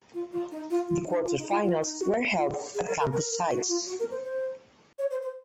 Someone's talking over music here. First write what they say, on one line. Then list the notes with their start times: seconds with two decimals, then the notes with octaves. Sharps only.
The quarterfinals were held at campus sites.
0.14 F4
0.32 F4
0.51 D#4
0.70 F4
0.88 F4
1.07 D#4
1.26 F4
1.38 D#4
1.50 F4
1.62 F4
1.82 D#4
2.00 F#4
2.37 F4
2.74 G#4
2.87 A#4
3.00 A#4
3.12 A#4
3.31 A#4
3.49 F#4
3.68 F4
3.86 F#4
3.99 A#4
4.11 C5
4.23 C5
4.98 C#5
5.10 C5
5.22 C5